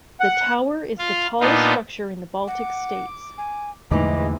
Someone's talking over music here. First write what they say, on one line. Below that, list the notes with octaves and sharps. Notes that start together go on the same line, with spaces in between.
The tower is the tallest structure in the Baltic states.
F#5
F4 F5
A#2 B3 D4 D#4 F4
F#5 D6
G#5
A#1 E2 G#2 D3 E3 A3 D#5 D6